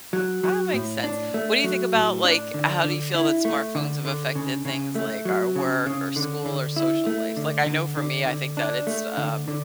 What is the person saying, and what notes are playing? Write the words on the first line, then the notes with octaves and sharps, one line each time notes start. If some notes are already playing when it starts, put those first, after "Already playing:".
That makes sense. What do you think about, like how do you feel that smartphones have affected things like our work, or school, or social life? Like, I know for me, I think that it's a
F#3
F#3
A2
D4
A3
F#3
A2
D4
D3
D3
E4
A3
D3
D3
C#3
C#3
A3
F#3
C#3
C#3
D3
D3
E4
A3
D3
D3
D3
D3
D4
A3
D3
D3